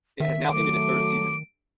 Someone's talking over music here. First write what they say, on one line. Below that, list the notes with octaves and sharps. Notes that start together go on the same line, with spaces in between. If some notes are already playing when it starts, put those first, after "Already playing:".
It has now ended its third season.
D#3 E5
F#3 A3 D6 D7